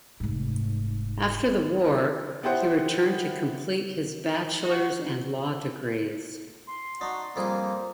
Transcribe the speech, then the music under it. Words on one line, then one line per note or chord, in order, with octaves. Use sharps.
After the war, he returned to complete his bachelor's and law degrees.
F1 G#2
B3 E4 G4 C5 F#5
F#4
C6
D4 D#4 F#4
F2 G3 A#3 G#4 C5